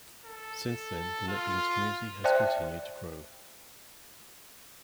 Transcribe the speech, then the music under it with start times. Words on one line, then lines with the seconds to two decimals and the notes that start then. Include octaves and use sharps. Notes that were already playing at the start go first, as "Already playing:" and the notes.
Since then, the NetBeans community has continued to grow.
0.25 A4
1.28 F4
2.24 C5 D5 E5 G5 A5 F#6